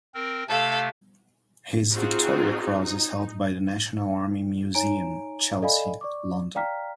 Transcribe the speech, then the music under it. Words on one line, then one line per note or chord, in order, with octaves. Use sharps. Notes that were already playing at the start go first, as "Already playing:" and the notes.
His Victoria Cross is held by the National Army Museum, Chelsea, London.
C4 A#4
C3 A3 A4 F5
C4 D#4 F4 F#4 G#4
D#4
D#4 C#5 G#5 A#5 D7
A4 D5 D#5 F5 G#5 B5
D5 C#6 D6
D5 F5 G5 A#5 F6 B6